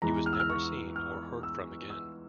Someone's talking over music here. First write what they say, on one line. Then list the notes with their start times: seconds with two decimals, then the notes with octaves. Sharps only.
He was never seen or heard from again.
0.02 E2 E3 G#3 A#5
0.26 F6
0.33 E6
0.40 F6
0.50 C#6
0.96 F6
1.43 E6
1.90 E6